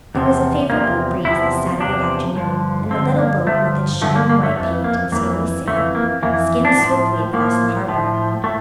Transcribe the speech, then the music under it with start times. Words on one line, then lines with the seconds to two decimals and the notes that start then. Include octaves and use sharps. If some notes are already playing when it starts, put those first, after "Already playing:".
There was a favorable breeze this Saturday afternoon, and the little boat, with its shining white paint and snowy sail, skimmed swiftly across the harbor.
0.15 E2 C3 F3
0.70 E2 C3 F3 A#3
1.25 E2 C3 F3 E4
1.80 E2 C3 F3 D4
2.36 G2 D3 F3
2.91 G2 D3 F3 C4
3.18 A#3
3.46 G2 D3 F3 A3
4.01 G2 D3 F3 A3
4.16 A#3
4.30 A#3
4.43 A3
4.57 F2 E3 A3
4.84 A#3
5.12 F2 E3 A#3
5.67 F2 E3 A3
5.95 A#3
6.23 F2 E3 A#3
6.65 D4
6.78 A2 F3
7.33 A2 F3 A#3
7.88 A2 F3
8.44 A2 A3